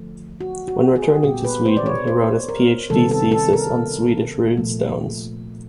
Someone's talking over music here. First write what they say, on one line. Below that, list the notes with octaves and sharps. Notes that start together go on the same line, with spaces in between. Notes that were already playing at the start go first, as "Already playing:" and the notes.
When returning to Sweden he wrote his PhD thesis on Swedish runestones.
Already playing: D3 F3 A3
F#4
F#4
G#4
A#2 G3 B3 G4
B4
C5
D5
C#5
C5
A#4
C3 D#3 G3 B3 A4
A4
A4
A#4
A#2 F3 A3